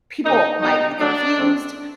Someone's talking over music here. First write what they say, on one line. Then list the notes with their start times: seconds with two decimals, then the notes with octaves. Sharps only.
people might be confused
0.24 C#3 F#3 A#3 D#4
0.62 B2 G3 B3 D#4
0.98 D3 F#3 A3 D4
1.36 G#2 E3 A3 C4